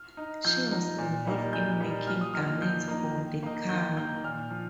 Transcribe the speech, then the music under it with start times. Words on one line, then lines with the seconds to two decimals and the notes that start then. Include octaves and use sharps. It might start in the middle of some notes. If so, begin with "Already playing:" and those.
She was involved in making garments for the kami.
Already playing: F6
0.17 D#4
0.45 F3 G6
0.72 D#4
0.98 A#2
1.25 G3 A#3 D#4
1.53 A#2 G6
1.80 G3 A#3 D#4
2.07 F3 F6
2.21 D#6
2.34 A#3 D#4 F6
2.48 F6
2.61 F3 G6
2.88 A#3 D#4
3.15 D#3
3.43 A#3 D#4
3.69 D#3 G6
3.97 A#3 D#4 G6
4.24 A#2 F6
4.50 F3